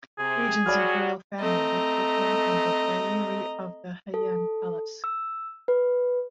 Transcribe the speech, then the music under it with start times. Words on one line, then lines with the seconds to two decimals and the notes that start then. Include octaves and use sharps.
Regien's Imperial family lived with him in the Dairi of the Heian Palace.
0.19 C3 G#4
0.66 F#3 G3 F#4 D5 B5 F6
1.40 A3 C4 D#5 A#5
4.14 A4
5.04 E6
5.68 B4